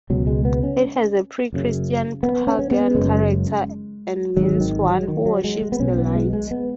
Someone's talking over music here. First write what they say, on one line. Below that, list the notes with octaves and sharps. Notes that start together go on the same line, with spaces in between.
It has a Pre-Christian pagan character and means "one who worships the light".
C#2 B2 F#3
G#3
B3
C#4
F#1 F#2 C#3
B3
C#4
C#4
B3
F#1 F#2 C#3 G#3
G#1 G#2 F#3
D#3
F#3
D#3
F#3
G#3
G#3
B3
B1 B2 C#4
B3
G#3
G#3
B3